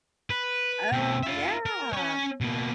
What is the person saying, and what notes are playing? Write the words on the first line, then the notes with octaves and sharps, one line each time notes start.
Oh, yeah.
B4
B2 A3
F4 E5
A#4
C#4 C#5
B2 A#3